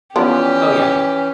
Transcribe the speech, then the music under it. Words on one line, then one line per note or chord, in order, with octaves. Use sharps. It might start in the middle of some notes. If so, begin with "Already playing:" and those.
Oh, yeah.
E3 F3 B3 C#4 D4 G4